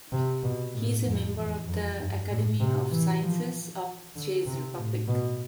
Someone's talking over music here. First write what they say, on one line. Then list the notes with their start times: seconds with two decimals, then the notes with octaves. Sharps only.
He is a member of the "Academy of Sciences of the Czech Republic".
0.12 C3
0.43 B2
0.74 A2
1.05 F2
1.36 E2
1.68 F2
1.98 G2
2.29 A2
2.60 C3
2.91 E3
3.23 F3
4.16 D3
4.46 C3
4.77 A2
5.08 B2